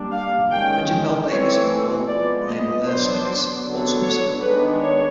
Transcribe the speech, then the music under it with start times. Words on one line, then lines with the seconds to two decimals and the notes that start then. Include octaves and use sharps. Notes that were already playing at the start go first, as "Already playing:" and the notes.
Richard Bell-Davies of the Royal Naval Air Service also received an award.
Already playing: G3 A#3 D4
0.12 F5
0.51 D#3 G#3 C#4 G5
1.28 E3 A3 C4 C#5
2.07 F3 G#3 B3 D5
2.47 D#5
2.85 F#3 B3 D4 C5
3.63 D3 F#3 B3
4.03 C#5
4.41 D#3 G#3 B3 D4 B4
4.80 C#5